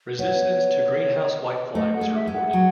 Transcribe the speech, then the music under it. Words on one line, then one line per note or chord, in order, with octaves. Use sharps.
Resistance to Greenhouse whitefly was reported.
B3 C#5
A3 D#5
F#5
G#3
E5
G#3
F#5
F#3